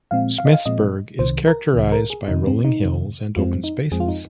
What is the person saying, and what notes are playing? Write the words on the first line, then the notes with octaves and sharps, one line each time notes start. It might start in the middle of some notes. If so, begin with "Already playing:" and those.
Smithsburg is characterized by rolling hills and open space.
A#2 F3 G#3 C4 F5
F5
D#5
F5
A#2 F3 G#3 C4 D#5
C2 C3 D#3 C5
A#4
C2 C3 D#3
A#4
G#4
F2 C3 D#3 D#4
C4
D#4
F2 C3 D#3
F2 F3 G#3 C4 F4
D#4
F2 F3 G#3 C4 G#4
F4
D#4